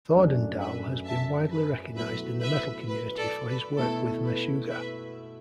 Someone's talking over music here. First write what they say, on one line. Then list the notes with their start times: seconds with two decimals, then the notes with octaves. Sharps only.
Thordendal has been widely recognized in the metal community for his work with Meshuggah.
0.14 F#2 F#3 A3 D4
0.60 B4 E5
1.05 E5 A5
1.51 B4
1.97 B2 F#3 A3 E4 B4 E5
2.42 B4 E5
2.87 B4
3.17 A4 D5
3.48 B4
3.78 B2 A3 E4 A4
4.24 B4
4.69 B4 E5